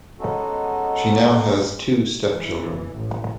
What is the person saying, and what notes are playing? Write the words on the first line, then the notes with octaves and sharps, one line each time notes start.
She now has two step children.
G#3 B3 C#4 D#4 F#4 A4
E3
A1